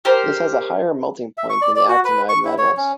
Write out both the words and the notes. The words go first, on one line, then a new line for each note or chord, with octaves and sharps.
This has a higher melting point than the actinide metals.
G4 A#4 C5
E5
C#6
D5
D5
F#4
B4
C#6
E4
C#5
C#4